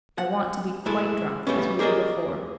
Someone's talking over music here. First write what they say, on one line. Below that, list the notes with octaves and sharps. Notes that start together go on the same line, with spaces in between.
I want to be quite drunk, as we were before.
F#5
G#3 A3 E4 G#4 A4
G3 A3 B3 C#4
G4 G#4 A#4 D5 D#5